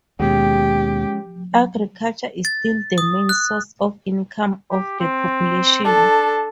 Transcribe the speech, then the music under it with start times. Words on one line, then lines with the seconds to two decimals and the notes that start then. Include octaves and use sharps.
Agriculture is still the main source of income of the population.
0.20 D#2 B2 G#3 C#4 F4 G4
2.45 A6
2.98 D#6
3.29 F#6
4.71 G4
5.00 C4
5.85 D4 A4